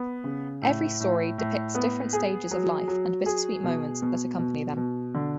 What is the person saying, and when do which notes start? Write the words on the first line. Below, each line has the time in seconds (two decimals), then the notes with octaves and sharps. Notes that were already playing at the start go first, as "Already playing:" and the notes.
Every story depicts different stages of life and bittersweet moments that accompany them.
Already playing: B3
0.24 C#3
0.62 A2
1.00 A2
1.38 A2
1.75 B3
2.13 G#4
2.51 F#3
2.88 F#3
3.26 G#4
3.63 B2
4.02 B2
4.39 B2
4.77 B2
5.14 D3